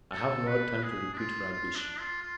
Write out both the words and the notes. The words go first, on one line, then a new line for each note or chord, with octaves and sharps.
I have no time to repeat rubbish.
A4
B4
G#4
D4
F4
F4
D4
F4
F4